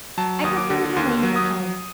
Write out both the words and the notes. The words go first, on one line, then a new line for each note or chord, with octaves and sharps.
I preferred remaining at home.
F#3 A5
D#2 D#6
D6
D3
D#2 C6
F#3
D#6